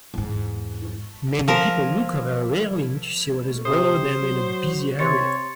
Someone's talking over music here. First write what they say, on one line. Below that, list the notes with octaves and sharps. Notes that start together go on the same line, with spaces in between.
Many people look over a railing to see what is below them in a busy area.
E2 G#2
F3 A#4
C3 C5 D#6
F#3
C3 C#5 C6 A6 C#7